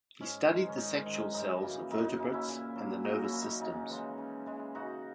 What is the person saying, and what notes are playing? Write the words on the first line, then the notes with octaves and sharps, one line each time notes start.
He studied the sexual cells of vertebrates and the nervous systems.
G#2 C#4
D#3 G#3
C#4
G#2 D#4
D#3 G#3
F#2 D#4
C#3 E3 A#3
F#2 D#4
D#4
C#3 E3 A#3 D#4
C#4 E4
A#2
F#3 A#3
A#2 D#4 F#4
C#4 E4
F#3 A#3
D#4
C#3 D#4
E3 G#3
C#3
E3 G#3
C#3 D#4 F#4